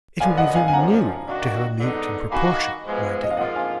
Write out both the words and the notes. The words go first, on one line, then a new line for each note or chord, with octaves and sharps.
It would be very new to have a mute in proportion, my dear.
F#2 D3 F3 G#3 B3 F5 G#5
D#5 F#5
F5 G#5
G#5
F#2 D3 F3 F#5 A#5
D#3 A#3 D4 F#4
D3 G#3 B3 D#4
D#3 A#3 D#4 F#4 G#5 B5
G#2 F3 G#3 B3
D#5
F5
G#2 F3 A#3 F4 D#5 F#5
F5 G#5